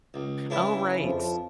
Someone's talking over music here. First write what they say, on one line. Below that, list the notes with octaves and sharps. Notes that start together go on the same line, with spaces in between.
Oh, right.
C#2
C#3 D4 E4 B4
F2 F3